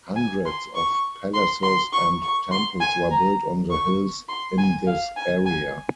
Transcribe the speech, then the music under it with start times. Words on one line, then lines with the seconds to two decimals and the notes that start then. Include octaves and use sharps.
Hundreds of palaces and temples were built on the hills in this area.
0.16 G#5
0.45 C6
0.75 C#6
1.34 C6
1.63 C6
1.93 C#6
2.22 C#6
2.52 C6
2.81 G#5
3.11 A#5
3.70 C#6
4.28 C6
4.58 G#5
4.87 F5
5.16 G#5
5.46 G#5